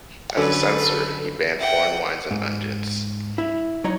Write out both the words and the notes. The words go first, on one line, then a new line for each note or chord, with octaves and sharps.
As a censor, he banned foreign wines and unguents.
D3 F#3 C#4 A4 B4
E5 F#5 G5
G#2
E4
F#3 D#4 C#5